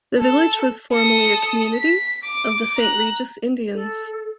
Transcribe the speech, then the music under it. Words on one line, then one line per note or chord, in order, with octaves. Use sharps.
The village was formerly a community of the Saint Regis Indians.
A4
A4 D#6
B6
D6
A#5 F#6
A4